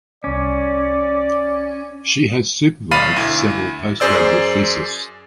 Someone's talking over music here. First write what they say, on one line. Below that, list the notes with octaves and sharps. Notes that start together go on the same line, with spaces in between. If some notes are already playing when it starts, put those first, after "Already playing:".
She has supervised several post graduate theses.
C2 C#4 D5 D6
B1 F5 B5 A6 D#7
D2 E4
F#2 G#4 C5 D5 E6